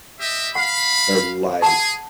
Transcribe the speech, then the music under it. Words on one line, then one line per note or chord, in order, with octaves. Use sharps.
their life,
G4 D#5 E5
F5 F#5 B5
G#4 F#5 A5